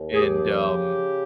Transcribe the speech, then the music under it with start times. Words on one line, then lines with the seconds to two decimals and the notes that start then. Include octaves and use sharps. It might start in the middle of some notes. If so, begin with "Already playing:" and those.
And, um,
Already playing: D#2
0.13 G#4
0.21 F3 G4
0.65 C#3